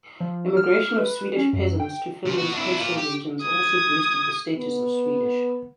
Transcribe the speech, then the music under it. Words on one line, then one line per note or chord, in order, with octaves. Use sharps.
Immigration of Swedish peasants to Finland's coastal regions also boosted the status of Swedish.
F3
F6
B4
C#4
F#2
G5
C#3 F4
B3 F#4
D4 E4
F4 A#4
G4
D#6 G#6
B3